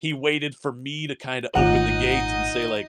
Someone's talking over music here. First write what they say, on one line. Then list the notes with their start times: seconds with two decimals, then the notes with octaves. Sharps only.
he waited for me to kinda open the gates and say, like,
1.55 G#1 A#2 D#3 A3 D#4 F4 D#5 F#5